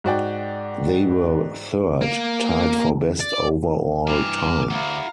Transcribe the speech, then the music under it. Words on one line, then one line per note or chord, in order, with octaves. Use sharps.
They were third, tied for best overall time.
G#2 F#4 D5 G5
A#3
D5
G2 E3 G#5 A#5 D6 F6
D2 E4 F#4 F5 A#5